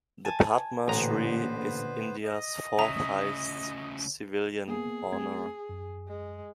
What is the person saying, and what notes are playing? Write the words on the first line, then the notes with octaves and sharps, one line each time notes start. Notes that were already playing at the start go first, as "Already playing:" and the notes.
The Padma Shri is India's fourth highest civilian honour.
G#5 A5
A1 A#2 D3 B3 B4 C5 D#5 A#5
D#5
D2 C#3 E5 A#5 D#6
A#3 B3 G#4
A3 C4 G#6
F#2
G#3